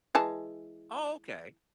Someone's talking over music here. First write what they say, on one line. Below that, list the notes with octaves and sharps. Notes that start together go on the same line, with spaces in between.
Oh, okay.
E3 G#3 A5